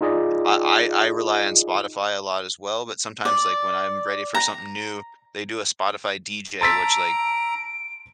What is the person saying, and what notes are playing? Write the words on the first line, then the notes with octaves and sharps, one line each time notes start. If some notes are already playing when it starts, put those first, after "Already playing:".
I I I rely on Spotify a lot as well, but sometimes, like, when I'm ready for something new, they do a Spotify DJ, which, like,
D#4 F4 G#4 D5 D#5
D5
A#5
A5 A#5 C6 E6 A6 B6 D7